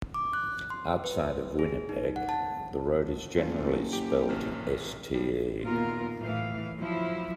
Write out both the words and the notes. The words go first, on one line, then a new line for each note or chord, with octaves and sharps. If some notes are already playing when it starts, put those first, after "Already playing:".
Outside of Winnipeg, the road is generally spelled Ste.
D6
F#6
C6
B4
G#4
D#4
F#5
A5
F#1 A3 F4
G4 D7
A1 C3 F6
F3 G3
D#2 A#2 B3 F4 A#4
A2 E3 F5
F3 F#3 E4